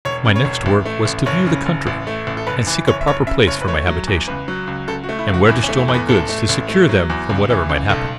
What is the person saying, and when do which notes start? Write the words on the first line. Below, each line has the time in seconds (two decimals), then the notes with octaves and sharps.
My next work was to view the country, and seek a proper place for my habitation, and where to stow my goods to secure them from whatever might happen.
0.05 E1 C#5
0.25 C#3
0.36 C#5
0.45 E1
0.66 A1
0.85 A3
1.05 A1
1.26 F#1 C#5
1.46 C#3
1.66 F#1
1.87 A1
2.07 A3
2.27 A1
2.37 A4
2.47 F#1 B4
2.67 E3
2.87 F#1 C#5
3.01 E5
3.07 F#1 C#5
3.27 C#3 E5
3.47 F#1 C#5
3.61 B4
3.67 A3 C#5
3.87 F#3
4.07 E2
4.28 C#2 B4
4.48 F#3
4.67 C#2
4.88 C#2 A4
5.04 F#4
5.09 A3
5.19 E4
5.28 C#2
5.34 F#4
5.48 E2 E4
5.63 C#4
5.69 A3
5.78 E4
5.88 E2
5.94 B3
6.09 A1 A4
6.29 A3
6.49 A1
6.69 A3
6.89 F#3
7.10 E2
7.29 C#2
7.50 E3
7.69 C#2
7.89 B1 A4